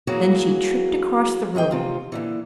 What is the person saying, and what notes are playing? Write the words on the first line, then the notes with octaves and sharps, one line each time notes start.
Then she tripped across the room.
E3 F#3 A#3 F#4 G#4
E3 G#4 D#5 G5
D2 C3 F4
A#2 D3 E3